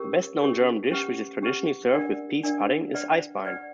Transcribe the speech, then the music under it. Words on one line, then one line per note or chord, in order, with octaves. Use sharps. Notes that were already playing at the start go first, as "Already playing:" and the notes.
The best-known German dish which is traditionally served with pease pudding is Eisbein.
Already playing: C#4 G4 A#4
C#4 G4 A#4
C#4 G4 B4 F#5
C#4 G4 B4 F#5
D4 A#4 D5 F#5
D4 A#4 D5 F#5
B4 D5 F#5
B4 D5 F#5